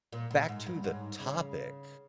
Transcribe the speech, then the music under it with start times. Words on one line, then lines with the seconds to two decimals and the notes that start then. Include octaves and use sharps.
back to the topic.
0.13 A#2
0.31 A#2
0.48 G#2
0.66 G2
0.84 G#2
1.19 C#3